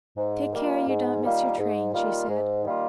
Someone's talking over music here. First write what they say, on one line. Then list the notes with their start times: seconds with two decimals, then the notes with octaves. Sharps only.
"Take care you don't miss your train," she said.
0.17 G#2
0.52 D#3 G3 A#3 F4
0.87 G#2
1.22 D#3 G3 A#3 F4
1.58 G#2
1.93 D#3 G3 A#3 F4
2.29 G#2
2.64 D#3 G3 A#3 F4